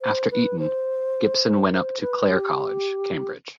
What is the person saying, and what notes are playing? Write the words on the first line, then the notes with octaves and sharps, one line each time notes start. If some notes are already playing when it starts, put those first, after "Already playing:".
After Eton, Gibson went up to Clare College, Cambridge.
C5
B4
C5
C5
B4
G4